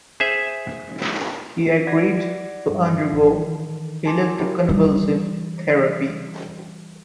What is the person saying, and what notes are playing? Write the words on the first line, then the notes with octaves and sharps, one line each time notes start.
He agreed to undergo electro-convulsive therapy.
G#4 C5 E5
D5 F#5 G#6 A#6
G2 G3
A1
D#3 E3
G#5 A5 C6 D6
F#3 E4 F#4 G4 A#4 C#5
E3 G3